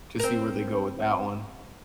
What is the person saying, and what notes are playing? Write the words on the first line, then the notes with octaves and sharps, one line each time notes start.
to see where they go with that one.
C4 A#4